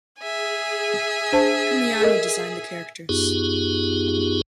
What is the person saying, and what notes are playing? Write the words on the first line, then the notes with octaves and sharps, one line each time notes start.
Premiani designed the characters.
G#4 E5 G#5
D4 C5 A5
A4 A#4 D#5
F#2 B3 D#4 F4 G4 G#4